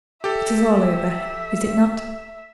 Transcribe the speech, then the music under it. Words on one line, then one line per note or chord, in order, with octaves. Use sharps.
It is all over, is it not?
G4 A4 E5